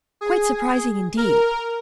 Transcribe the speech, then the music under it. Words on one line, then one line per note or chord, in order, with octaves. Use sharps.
Quite surprising indeed!
G#4
A#4